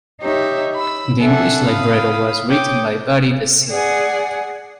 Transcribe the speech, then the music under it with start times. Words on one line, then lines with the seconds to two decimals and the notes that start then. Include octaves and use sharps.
The English libretto was written by Buddy DeSylva.
0.21 D#4 G4 C#5 E5
0.75 B5 E6
1.21 C4 D4 A4 E5 F#5 G#5
1.66 F5 B5 D#6
2.49 C#5 G5 D6 D#6
3.69 G#4 D5 F#5 G#5